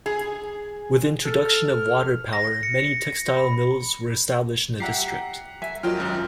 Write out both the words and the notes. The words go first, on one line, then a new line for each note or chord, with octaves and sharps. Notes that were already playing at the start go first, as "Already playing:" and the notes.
With the introduction of water power, many textile mills were established in the district.
G#4
A4 F6
A#6
C#7
B5
G4 E5 F#5 A#5 C7
E5 G#5
F#3 F4 A#4 D#5 G5 F6
G#1 F#2